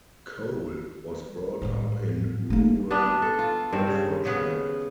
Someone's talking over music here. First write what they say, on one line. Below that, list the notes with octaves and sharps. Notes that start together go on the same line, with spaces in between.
Cole was brought up in rural Bedfordshire.
A1 G#2
A3 A#3
B3 D4 E4
A4
F4
G2 C4
C#3
C#3 B3